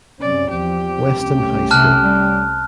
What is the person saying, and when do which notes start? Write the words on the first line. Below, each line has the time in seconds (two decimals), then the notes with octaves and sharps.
Weston High School.
0.21 F#2 C3 C#4 D5
0.50 E2 F3 C4 G4
1.16 C2 A3 C#4
1.71 C3 A5 F6 F#6
2.03 G3